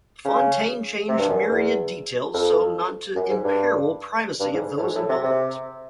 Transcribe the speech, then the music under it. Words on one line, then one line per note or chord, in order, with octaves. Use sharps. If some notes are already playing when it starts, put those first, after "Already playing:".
Fontane changed myriad details so as not to imperil privacy of those involved.
C#3
C3
G2
F#2
E2
F2
F#2
G#2
G2
G2
G#2
A2
G#2
A2
C3
C3